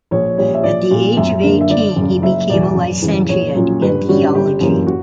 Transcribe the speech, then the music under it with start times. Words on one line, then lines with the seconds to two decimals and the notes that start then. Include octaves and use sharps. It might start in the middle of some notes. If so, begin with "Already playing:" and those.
At the age of eighteen, he became a licentiate in theology.
0.11 A#1 C#5
0.37 A#2 G3 C#5
0.54 E5
0.63 A#1 D5
0.91 A#2 G3
1.17 F#2 E5
1.43 D3 A#3 D4
1.61 E5
1.69 G1 D5
1.96 F#2 C#3
2.22 F#1 E5
2.49 E2 B2 D5
2.75 F#2
3.02 C#3 E3
3.29 A#1 C#5
3.55 A#2 F#3 C#4
3.81 G2 B4
4.08 D3 G3 C#4 F#4
4.34 G1 G4
4.61 F#2 E3 A#3 C#4
4.87 F#4